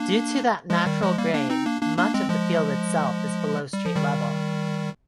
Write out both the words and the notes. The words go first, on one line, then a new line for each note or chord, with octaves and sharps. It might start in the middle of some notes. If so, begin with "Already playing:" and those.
Due to that natural grade, much of the field itself is below street level.
Already playing: A#3 D4
F3 G#3
D#3 G3
F3 G#3
G3 A#3
A#3 D4
C4 D#4
A#3 D4
A#3 D4
A#3 D4
G#3 C4
F3 G#3
G3
F3
D#3 G3